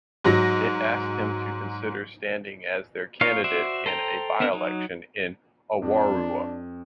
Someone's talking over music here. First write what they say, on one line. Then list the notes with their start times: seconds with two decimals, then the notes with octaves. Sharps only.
It asked him to consider standing as their candidate in a by-election in Awarua.
0.24 G#2 F#3 A#6
3.21 D#4 F4 C#5 F5
3.44 F#4 C5 D5 E5
3.86 A4 C5 G5 A#5
4.40 B3 C4 D4 A#4
4.53 F#3 D#4
5.82 F2 D4